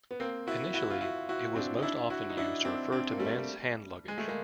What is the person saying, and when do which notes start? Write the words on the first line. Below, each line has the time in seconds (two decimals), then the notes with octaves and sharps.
Initially, it was most often used to refer to men's hand-luggage.
0.11 B3
0.20 A#3 C4
0.47 E4 F#4
0.74 E4 F#4
0.90 F4
1.01 E4 F#4
1.29 E4 F#4
1.55 C4 D4
1.78 D#4
1.82 D4 E4
2.10 E4 F#4
2.30 D#4
2.37 D4 E4
2.65 C4 D4
2.92 C4 D4
3.12 A#3
3.19 G3 A3
4.08 G#3
4.18 A3
4.28 G#3 A#3